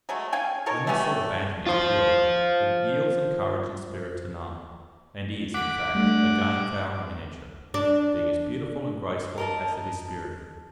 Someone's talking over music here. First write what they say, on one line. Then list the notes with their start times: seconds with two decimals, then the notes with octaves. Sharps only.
When this sort of Bantam is pure, it yields in courage and spirit to none, and is, in fact, a game-fowl in miniature, being as beautiful and graceful as it is spirited.
0.09 F#3 G#3 A3
0.32 C#4 F5 G5 G#5
0.66 D#4 A4 A#4 C#5
0.87 A3 B3 C#4 G4
1.67 F4 C5
5.54 F#5 D6 B6 D7
5.95 G3 A3 D4
7.74 D4
9.38 A#4 D#5 A5